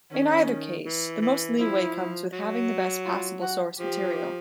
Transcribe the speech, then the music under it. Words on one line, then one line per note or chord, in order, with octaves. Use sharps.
In either case, the most leeway comes with having the best possible source material.
D#3 C#4
E3
E3
F3 E4
F#3
F4
F#4
F3 G4